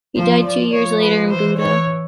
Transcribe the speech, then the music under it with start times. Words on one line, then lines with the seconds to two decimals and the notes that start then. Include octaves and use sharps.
He died two years later in Buda.
0.16 F3 C5
0.44 F3 D5
0.73 F3 C#5
1.01 B4
1.30 E3 C5
1.58 E3 C#5